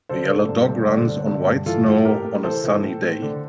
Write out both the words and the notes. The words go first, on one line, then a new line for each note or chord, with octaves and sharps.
A yellow dog runs on white snow on a sunny day.
D3 A4 C5
D3
G2
G2
D3
D3
G2
G2
E3 F4 A4
E3
A2 G4 A#4
A2
E3 A4 C5
E3
A2
A2
D3